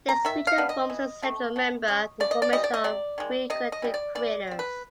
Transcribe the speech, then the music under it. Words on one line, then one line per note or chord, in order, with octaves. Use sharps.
This feature forms the central member of a formation of three connected craters.
A#5
D#3 E5
F5
G3 B3 D4
D#5
E3
A3 C4
B2
G#3 C#4
C#3 D5
D#5
D5
E3 G3 D#5
D5
D#5
C3 D5
D#3 G#3
C3 D#5
D#5
E3 G3
D5
E3 D5
G3 C4
B4